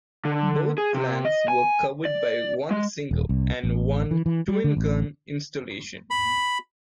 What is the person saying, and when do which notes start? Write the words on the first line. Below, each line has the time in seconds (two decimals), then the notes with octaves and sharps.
Both flanks were covered by one single and one twin gun installation.
0.25 D3
0.78 G#4
0.95 C3
1.25 D#5
1.48 G#5
2.05 D5
2.71 G#3
3.11 D#1
3.29 C2
3.64 A1
4.11 E3
4.26 E3
4.48 G3
4.64 D3
4.77 A1
6.10 B5